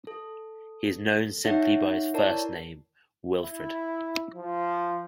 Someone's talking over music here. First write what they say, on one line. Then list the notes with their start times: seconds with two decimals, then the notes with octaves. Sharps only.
He is known simply by his first name, Wilfred.
0.07 A4
1.44 D#4 C#5 E5 F#5
2.14 E4 A#4 C#5 D5 A5
3.41 E4
4.34 F3